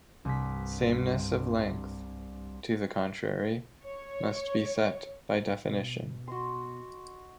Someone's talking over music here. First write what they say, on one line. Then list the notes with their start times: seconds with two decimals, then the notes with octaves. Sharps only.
Sameness of length, to the contrary, must be set by definition.
0.25 C2 G2 B6
3.84 C#5
5.64 B2
6.28 F#4 D#5 C6